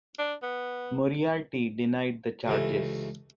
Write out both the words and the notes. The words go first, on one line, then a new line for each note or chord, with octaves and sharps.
Moriarty denied the charges.
D4
B3
C#2 C3 E3 A3